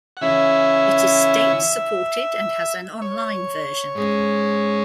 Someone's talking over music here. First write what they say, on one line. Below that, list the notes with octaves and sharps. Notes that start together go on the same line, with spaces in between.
It is state supported and has an online version.
F#5
C#3 E3 C#4 E4 E5
C#5
G#2 G#3 C#4